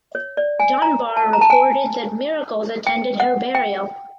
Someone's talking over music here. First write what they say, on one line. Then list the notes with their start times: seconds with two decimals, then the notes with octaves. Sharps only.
Dunbar reported that "miracles attended her burial".
0.15 C#5
0.37 D5
0.60 G#5
0.82 A#5
1.17 A5
1.33 A#5
1.41 A5
1.50 G#5
2.87 G5
3.20 F#5
3.55 G5